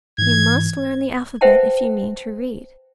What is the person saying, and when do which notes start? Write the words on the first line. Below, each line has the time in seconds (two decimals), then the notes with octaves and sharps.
You must learn the alphabet if you mean to read.
0.18 G#2 E3 G#6
1.41 B4 C5 E5 F#5 G5 A5